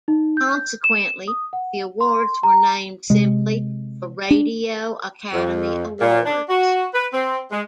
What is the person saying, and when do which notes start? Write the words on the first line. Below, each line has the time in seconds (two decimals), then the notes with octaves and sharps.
Consequently, the awards were named simply "The Radio Academy Awards".
0.08 D#4
0.37 G6
0.84 E7
1.28 D#6
1.53 F#5
2.01 C6
2.43 A#5
3.10 C3 G#3
4.31 D4
5.33 F2
6.00 A#2
6.25 D4
6.49 F#4
6.93 B4
7.13 C4
7.51 G#3